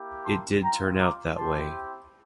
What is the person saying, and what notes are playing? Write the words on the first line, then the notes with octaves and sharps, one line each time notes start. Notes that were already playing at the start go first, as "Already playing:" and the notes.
It did turn out that way.
Already playing: A#3 E4 G4
A5 C6
C4 F4 G5 A#5
A#5 D6
C4 E4 G4 A5 C6